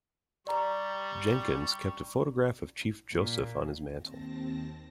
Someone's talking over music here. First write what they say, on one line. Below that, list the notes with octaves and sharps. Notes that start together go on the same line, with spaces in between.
Jenkins kept a photograph of Chief Joseph on his mantle.
G3 G4 D5 A#5 C#6
A#2
D#2 C4 A5 A#6